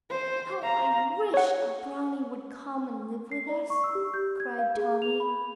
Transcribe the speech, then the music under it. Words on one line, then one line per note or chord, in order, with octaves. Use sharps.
"How I wish a brownie would come and live with us!" cried Tommy.
C5
F5 A#5
C#5 F#5
C7
D5
C#6
E6
G4
G6
G#6
F5
G#4
F7
B5